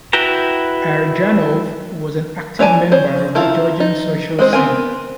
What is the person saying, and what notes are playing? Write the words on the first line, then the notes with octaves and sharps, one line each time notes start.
Parajanov was an active member of the Georgian social scene.
E4 F#4 B4 G5 A#5
E3 C#5 D5 G#5 A5
C4 C5 C#5
D#3 F3 E4 F4
D#4
G#3 C4 C5
B3 C4 A#4 G#5